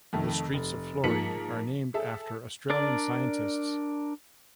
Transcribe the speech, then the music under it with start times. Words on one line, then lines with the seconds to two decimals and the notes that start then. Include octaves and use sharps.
The streets of Florey are named after Australian scientists.
0.13 F2 C3 D#3 A3
0.54 F1
1.04 G#2 F3 A#3 B6 C#7 F#7
1.94 G#4 A4 E5
2.70 D4 A#4 D5 A5